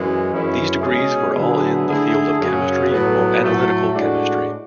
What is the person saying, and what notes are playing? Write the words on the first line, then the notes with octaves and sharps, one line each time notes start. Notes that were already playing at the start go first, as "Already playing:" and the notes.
These degrees were all in the field of chemistry or analytical chemistry.
Already playing: F#2 E3 G#3
F#2 E3 G#3 C#4 E4
B2 G#3 C#4 G#4
D3 F#3 B3 E4 G#4
D3 A3 E4 G#4
F#2 C#3 F#3 C#4 G#4
A2 F#3 B3
A2 F#3 A3
A2 G#3 D4 F#4